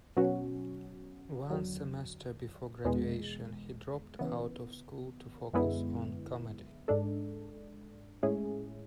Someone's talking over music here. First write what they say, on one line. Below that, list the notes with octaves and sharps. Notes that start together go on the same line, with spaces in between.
One semester before graduation, he dropped out of school to focus on comedy.
B2 F#3 C#4 F#4
E2 D3 F#3
E2 B2 G#3
C#3 E3 B3
F#2 D3 G#3 B3 E4
G#2 G#3 D4 A4
A2 G#3 C#4 E4 G#4